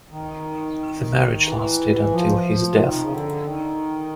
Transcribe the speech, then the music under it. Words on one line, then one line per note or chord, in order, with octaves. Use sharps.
The marriage lasted until his death.
D#3
E3
F3
D#3
C3
C#3
D3
D#3